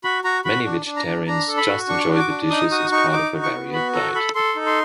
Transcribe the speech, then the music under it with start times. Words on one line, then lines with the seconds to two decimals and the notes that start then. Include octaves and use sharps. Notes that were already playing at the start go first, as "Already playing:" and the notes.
Many vegetarians just enjoy these dishes as part of a varied diet.
0.04 F#4 B5
0.24 F#4 A#5
0.45 F#4 B5
0.66 D4
0.86 D4
0.96 A#5
1.07 D4
1.27 D4 A#5
1.48 A4
1.57 B5
1.68 F#4
1.89 D4 C#6
2.09 F#4
2.19 D6
2.30 D4
2.50 D#4 D#6
2.71 F#4 D#6
2.91 D#4 C#6
3.12 D#4 D6
3.33 F#4
3.43 C#6
3.53 B3
3.73 F#4 B5
3.94 A4 A#5
4.14 A4 B5
4.35 A4 C6
4.56 D#4
4.66 C6